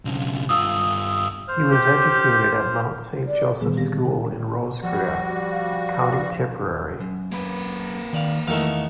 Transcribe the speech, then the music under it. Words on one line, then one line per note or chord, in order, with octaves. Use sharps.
He was educated at Mount Saint Joseph's school in Roscrea, County Tipperary.
B1 C#3
G2 F4 D#6 E6
C5 F6
G4
D5
A#2 D3 D#3 G3 B3 G#4
B3 C4 G4 F5 A#6
G4
F3 G3 F#4 F#5
F5
F#2
A#3 B4
D#3 D5 F5
E2 D#3 A3 F5